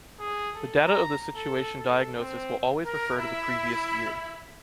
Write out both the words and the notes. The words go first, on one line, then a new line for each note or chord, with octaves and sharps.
The data of the situation diagnosis will always refer to the previous year.
G#4
A4
A#5
A4
A4
C4
A#4
E4